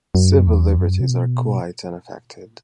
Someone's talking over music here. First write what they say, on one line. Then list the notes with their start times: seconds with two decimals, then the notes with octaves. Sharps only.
Civil liberties are quite unaffected.
0.15 F#2
0.47 E2
0.78 F#2
1.00 C3
1.10 B2